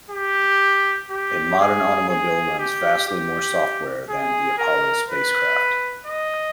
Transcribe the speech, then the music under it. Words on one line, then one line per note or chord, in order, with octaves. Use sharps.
A modern automobile runs vastly more "software" than the Apollo spacecraft.
G4
G4
G#4
G#4
G4
G4
G#4
A#4
B4
D#5